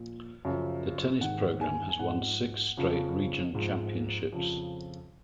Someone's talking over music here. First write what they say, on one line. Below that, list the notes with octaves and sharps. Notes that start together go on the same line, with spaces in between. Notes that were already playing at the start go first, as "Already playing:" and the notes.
The tennis program has won six straight region championships.
Already playing: A#2 F3
F#2 C#3 F3
G#2 D#3 F#5
G#5
G#5
G#2 F3 F#5
F2 C#3 F3
G#2 F3
F2 C#3 F3